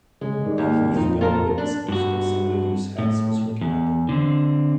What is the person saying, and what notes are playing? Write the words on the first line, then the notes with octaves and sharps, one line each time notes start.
A Heaf gun with disposable single-use heads was recommended.
C#3 G#3
G#2 D#3 G3
D#2
F2 A#2 F3 C4 D#4
F4 A4 A#4
D4
G2 F#4
A2
E2
D3 C4